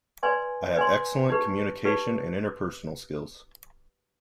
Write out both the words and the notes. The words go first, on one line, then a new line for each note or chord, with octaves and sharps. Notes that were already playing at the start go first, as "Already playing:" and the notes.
I have excellent communication and interpersonal skills.
B4 D5 G#5 C6
B4 D5 G#5 C6
D#4 G4 B4
D#4 G4 B4